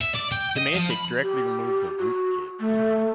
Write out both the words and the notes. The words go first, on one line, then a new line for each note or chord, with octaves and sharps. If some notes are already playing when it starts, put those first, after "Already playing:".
Symantec directly removed the rootkit.
E5
D5
G5
D#5
F3
B5
G4
F#4
A3